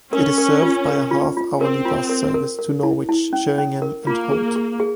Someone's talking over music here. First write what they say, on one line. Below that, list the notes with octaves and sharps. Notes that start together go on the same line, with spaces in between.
It is served by a half-hourly bus service to Norwich, Sheringham and Holt.
C#4 A#4
A#4
F4
A#4
F4
F4
C4 A#4
F4
A#4
A#4
A#4
E4
E4
C#4
C#4
A#4
A#3 F4
G#4
G#4
G#4